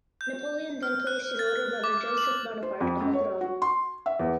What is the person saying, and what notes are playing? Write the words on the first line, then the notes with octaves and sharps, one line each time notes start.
Napoleon then placed his older brother Joseph Bonaparte on the throne.
G6
F6
F#6
A6
D6
F#7
C5
F2
F#2
C#5
F#4
C6
E5
E2